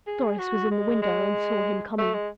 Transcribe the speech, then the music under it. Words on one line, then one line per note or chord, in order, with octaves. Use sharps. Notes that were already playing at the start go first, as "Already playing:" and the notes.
Doris was in the window and saw him coming.
G#4
F#4
G#3
G#3
A3
G#3